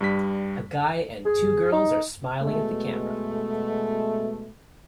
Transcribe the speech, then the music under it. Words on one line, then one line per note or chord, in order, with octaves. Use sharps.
A guy and two girls are smiling at the camera.
G2 G3 B6
G#4
D#4
B2 G#3 A3